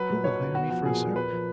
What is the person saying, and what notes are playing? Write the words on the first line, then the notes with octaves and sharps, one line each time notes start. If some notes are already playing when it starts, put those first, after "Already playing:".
Who will hire me for a servant?'
Already playing: F#3 B4
A#2
B1 C#5
B1
B3 F#4
F3 F#4
A#2 G#4
A#2
A#3 B4
F3